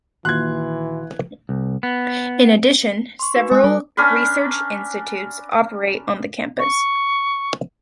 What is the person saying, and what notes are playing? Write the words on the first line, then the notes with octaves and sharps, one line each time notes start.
In addition, several research institutes operate on the campus.
A#1 D#3 E3 F#4 C6 F#6 G#6
C2
B3
C6 C#6
D#4 F#4 B4
G#3 G#5 D#6 F#6
G3 A4
C#4 D4 A#4 B4
C#6